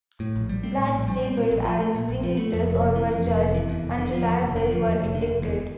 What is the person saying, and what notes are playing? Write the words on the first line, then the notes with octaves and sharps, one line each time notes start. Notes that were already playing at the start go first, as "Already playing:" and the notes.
Blacks labeled as ringleaders or who were judged "unreliable" were indicted.
A2
A#1
G3
C4
A2
A#1
G3
C4
A#2
A#1
F3
A3
A#2
A#1
F3
A3
F2
F1
C3
E3
F2
F1
C3
E3
E2
F1
D3
F3
E2
F1
D3
F3
E2
F1
D3
F1
E2